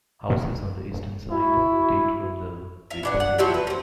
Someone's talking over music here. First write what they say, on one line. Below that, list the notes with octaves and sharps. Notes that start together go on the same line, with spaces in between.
Houses on the eastern side date from the Victorian era.
E4 F#4
E5 F5
E3 D4 F#5
F#5
F3 F#3 E4 G4
B4
C4 C#4